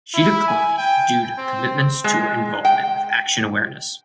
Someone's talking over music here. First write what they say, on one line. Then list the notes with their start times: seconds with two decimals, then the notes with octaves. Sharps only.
She declined due to commitments to her involvement with Action Awareness.
0.14 E4
0.48 G#5
0.78 G5
1.38 C4
2.04 G#3
2.65 G5